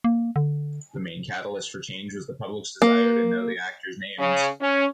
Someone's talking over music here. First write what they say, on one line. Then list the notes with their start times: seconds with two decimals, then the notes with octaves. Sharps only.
The main catalyst for change was the public's desire to know the actors' names.
0.04 A#3
0.36 D3
2.82 A#3
4.18 C#3
4.60 C#4